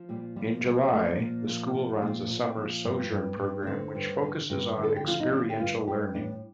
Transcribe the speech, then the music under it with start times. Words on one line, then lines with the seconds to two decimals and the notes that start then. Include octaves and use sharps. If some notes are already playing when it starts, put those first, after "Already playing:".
In July, the school runs a Summer Sojourn program which focuses on experiential learning.
Already playing: F3
0.09 A#2 G3
0.36 F3 G3
0.64 A#2 G3
0.92 F3 A3
1.19 A#2 A#3
1.47 F3
1.74 F3
2.01 A#2 C4
2.29 A#2
2.44 C4
2.57 F3
2.85 G2
3.12 G2
3.40 G2
3.63 D4
3.67 D3 C4
3.95 G2
4.22 D3
4.50 G2
4.77 D3
4.83 A4
4.96 G4
5.04 F3 F4
5.20 D#4
5.32 D3 D4
5.50 G4
5.60 G2 F4
5.87 G2 G4
6.14 A2 D4